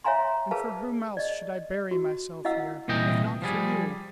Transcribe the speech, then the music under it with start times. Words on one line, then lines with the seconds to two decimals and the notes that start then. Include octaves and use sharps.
"And for whom else should I bury myself here, if not for you?"
0.04 C#5 E5 F5 G#5 A#5 C6
0.51 G#4 A#4 B4 F5 A5
1.17 D5 D#5
1.91 F#4
2.45 E4 D#5 F5 F#5 E6
2.88 C2 A#2 E3 D#5 G5
3.42 F3 G3 G#4